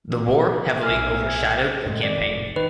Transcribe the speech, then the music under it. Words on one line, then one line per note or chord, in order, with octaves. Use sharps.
The war heavily overshadowed the campaign.
B1 E4 G#5 F6 C7
F#2 A2 G#3
D#3 G#3 C4 D5
F1
D#3 B4